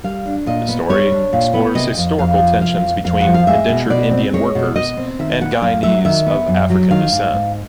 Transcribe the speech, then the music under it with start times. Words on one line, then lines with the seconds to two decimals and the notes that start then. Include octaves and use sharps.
The story explores historical tensions between indentured Indian workers and Guyanese of African descent.
0.04 G3 F5
0.26 D4
0.46 A#2 D#5
0.68 B3
0.89 G3 C#5
1.12 D4
1.33 A#2
1.54 B3
1.75 C3 D#5
1.97 F2
2.18 F2 F5
2.40 F3
2.61 C3 F5
2.82 F2
3.04 F2 F5
3.21 F#5
3.26 F3
3.34 F5
3.47 G#3 E5
3.69 B2
3.90 B2 D5
4.11 C4
4.34 G#3 C#5
4.55 B2
4.76 B2 D#5
4.97 C4
5.19 D#3 E5
5.41 B3 F#5
5.61 F#2 F5
5.83 F#3 E5
6.05 D#3 E5
6.27 B3
6.48 F#2
6.70 F#3
6.91 D#3 F5
7.12 G#2
7.33 G#2